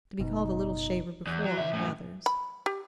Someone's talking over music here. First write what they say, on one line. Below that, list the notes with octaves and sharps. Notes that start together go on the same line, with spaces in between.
To be called "a little shaver" before all the others!
F#1 B2 D#4
E2
F#3
C#3 E5
F#2 A2
B5
G4